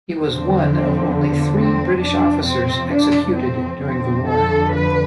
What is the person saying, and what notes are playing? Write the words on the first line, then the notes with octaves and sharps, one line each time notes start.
He was one of only three British officers executed during the war.
E2 D3 F3 C4
C4
F2 C3 F3 D4
C4
D4
C4
F2 D3 F3 C4
A4
B4